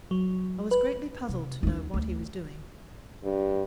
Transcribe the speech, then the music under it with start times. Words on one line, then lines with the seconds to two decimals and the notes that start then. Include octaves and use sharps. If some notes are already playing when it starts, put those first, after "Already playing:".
I was greatly puzzled to know what he was doing.
0.11 F#3
0.71 B4
1.29 C3
1.63 D#2 C#4
1.94 D2
3.24 G2